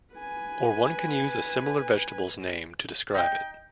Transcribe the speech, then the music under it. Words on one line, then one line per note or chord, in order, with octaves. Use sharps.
Or one can use a similar vegetable's name to describe it.
B4 G#5
D#4 G5